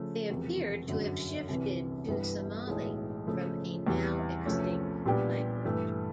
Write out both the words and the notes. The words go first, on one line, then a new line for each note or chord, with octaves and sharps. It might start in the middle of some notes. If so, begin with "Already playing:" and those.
They appear to have shifted to Somali from a now-extinct language.
Already playing: C#3 F3 A3
E1 E2 C3 F3
G1 F#2 D3 F#3
C2 C3 E3
G1 G2 E3 G3 B3
B1 A2 E3 G#3
C#3 F3 A3
E2 C3 E3 G3
C2 C3 F3 A3 C#4
A#2 G3 B3 D4 G4
G2 E3 A3